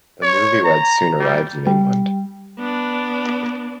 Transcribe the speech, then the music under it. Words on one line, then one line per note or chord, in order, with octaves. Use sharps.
The newly weds soon arrived in England.
C#5
A#5
G3
G3
B3 D4